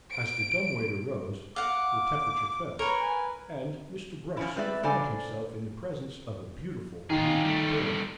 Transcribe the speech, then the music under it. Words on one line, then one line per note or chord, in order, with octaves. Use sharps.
As the dumb-waiter rose, the temperature fell, and Mr. Brush soon found himself in the presence of a beautiful blue berg.
D7
F5 F#5 D6
A#4 B4 C#5
G#5
F3 C#4 E4
C4 B4 D5 E5
C#3 D4 A4 C5 D5 G#5
D#3 F4 G#4
G3 A3